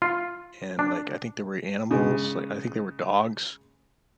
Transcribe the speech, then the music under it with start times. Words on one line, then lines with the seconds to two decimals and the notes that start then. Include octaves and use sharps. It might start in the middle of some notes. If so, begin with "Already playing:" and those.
and, like, I think there were animals, like, I think there were dogs,
0.02 F4
0.79 D4
1.91 C#3 G#3